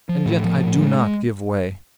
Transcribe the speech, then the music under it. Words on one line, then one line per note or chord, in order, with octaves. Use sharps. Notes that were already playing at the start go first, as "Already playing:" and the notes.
And yet I do not give way.'
F3
A2
F3
A2
G#3